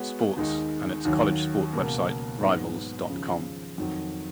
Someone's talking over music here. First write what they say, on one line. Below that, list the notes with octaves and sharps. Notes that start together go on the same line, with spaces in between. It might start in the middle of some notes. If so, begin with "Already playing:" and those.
Sports and its college sports website Rivals dot com.
Already playing: G#3 B3 F#4 C#5
D#2 D#3 G#3 D#4
D#2 D#3 F#3
C#2 B2 A#3
G#2 F#3 B3
D#2 C#3 F3
F2 D#3 F#3